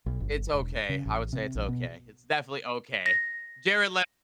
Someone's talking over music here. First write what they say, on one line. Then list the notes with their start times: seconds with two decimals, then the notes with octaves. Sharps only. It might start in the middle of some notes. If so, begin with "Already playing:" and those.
it's okay, I would say it's okay, it's definitely okay. Jared Leto
0.06 B1
0.20 G1
0.53 E1
0.89 C#3
1.06 A1
1.33 C3
1.55 A#1
1.69 B2
3.06 A#6